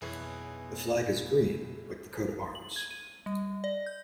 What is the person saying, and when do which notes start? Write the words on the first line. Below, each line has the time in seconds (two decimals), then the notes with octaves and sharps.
The flag is green like the coat of arms.
0.02 B1 F2 E3 G#4 C#5 C#6
2.55 F#7
2.76 G#6
2.90 D#7
3.26 G3
3.64 D5
3.86 G6